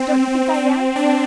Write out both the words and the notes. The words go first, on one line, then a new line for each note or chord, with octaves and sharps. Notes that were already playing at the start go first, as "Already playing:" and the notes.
Don't you think I am?
Already playing: C4
C4
D4